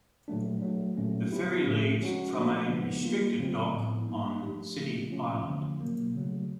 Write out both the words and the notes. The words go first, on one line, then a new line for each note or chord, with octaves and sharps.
The ferry leaves from a restricted dock on City Island.
A#2 F#3 A3 D4
F#3 A3 D4
A#2 F#3 A3 C#4
F#3 B3 E4 G4
A2 F3 A3
F3 G#3 C#4 F#4
F3 A3 D4 F#4
C#3 F3 G#3 B3
G3 A#3 D4 F4
C#3 F#3 A3 C4 F4
A2 F3 G#3 B3 E4
G3 A#3 D#4
F3 A3 D4 G4
C#3 F3 A3 C#4
C3 F3 A3 C#4 F4
D3 F3 A3 C#4
B2 F#3 A#3
C#3 F#3 A3